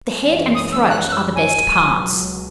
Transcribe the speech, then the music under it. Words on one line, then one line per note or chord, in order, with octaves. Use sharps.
The head and throat are the best parts.
F#2 E3 G#3 C#4
D#6
E6
F#6
F#6
E6
G#5
C#2 B2 F#3